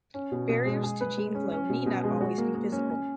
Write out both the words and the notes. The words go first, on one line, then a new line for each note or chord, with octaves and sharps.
Barriers to gene flow need not always be physical.
C#4
B2
B2
G#3
G#4
B4
G#3
C#4
C#4
B2
B2
G#3
F#4
A#3
A#3
C#4
C#4